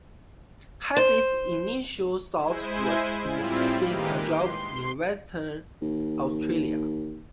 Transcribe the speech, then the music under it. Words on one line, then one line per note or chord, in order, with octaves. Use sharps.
Hafey's initial thought was to seek a job in Western Australia.
C5
G#3 E4 C5 G#5
A2 G3 C4 E4 F4
D#3 G#3 A#3 D#4 G4 B4
C6
D#2